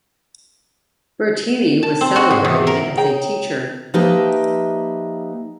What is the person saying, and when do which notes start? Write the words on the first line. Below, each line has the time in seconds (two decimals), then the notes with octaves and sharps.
Bertini was celebrated as a teacher.
1.83 A5
2.01 C4
2.16 F#4
2.31 G#2
2.45 E2
2.67 A#4
2.97 G#4 C#5 G5 A#5
3.94 F3 A#3 D#4 G4 B4 E5